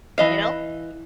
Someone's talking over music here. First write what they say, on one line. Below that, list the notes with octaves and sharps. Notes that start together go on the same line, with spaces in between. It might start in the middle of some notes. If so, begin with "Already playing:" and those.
You know?
E3 D#5 F5